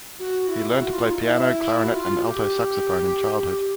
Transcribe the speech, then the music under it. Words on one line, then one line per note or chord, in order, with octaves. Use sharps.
He learned to play piano, clarinet and alto saxophone in childhood.
F#4
E4
F#4
F4
D#4
E4
F#4
F4
F#4
G4